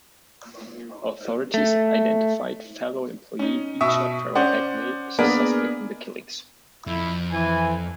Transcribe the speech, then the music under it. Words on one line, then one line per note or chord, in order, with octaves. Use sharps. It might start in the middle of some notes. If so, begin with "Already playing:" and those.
Authorities identified fellow employee Beacher Ferrel Hackney as a suspect in the killings.
A3
C#4 D#4
B2 E5 C#6 D#6
C#4 C5 D5 F#5
A#3 B3 D4 G#4 A#4
F2 E4
E3 G#5